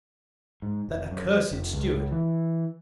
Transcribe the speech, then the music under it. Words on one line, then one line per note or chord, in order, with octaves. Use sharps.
That accursed steward!
G#2
F1
F#2
F1
C#2
E3